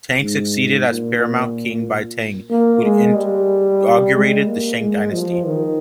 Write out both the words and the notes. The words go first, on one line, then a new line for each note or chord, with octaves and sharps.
Tang succeeded as paramount King by Tang, who inaugurated the Shang dynasty.
G#2
A#2
A#3
G#3
G3
G#3
A#3
G#3
F3
D#3